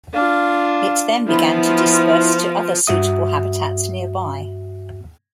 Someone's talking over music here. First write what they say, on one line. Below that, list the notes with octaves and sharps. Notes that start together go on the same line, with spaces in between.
It then began to disperse to other suitable habitats nearby.
D4 F4 F5
F3 B3 E4 F4
G2 F#4 E5 D#6